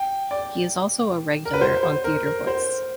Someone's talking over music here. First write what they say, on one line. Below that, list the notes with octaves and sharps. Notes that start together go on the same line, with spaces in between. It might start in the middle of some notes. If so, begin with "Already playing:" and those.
He is also a regular on "TheatreVoice".
Already playing: G5
D5
A#4
B4
C5
C5
A#4
A#4
C5